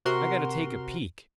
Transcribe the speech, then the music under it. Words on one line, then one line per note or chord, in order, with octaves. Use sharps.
I gotta take a peek.
C3 F#4 A#4 C6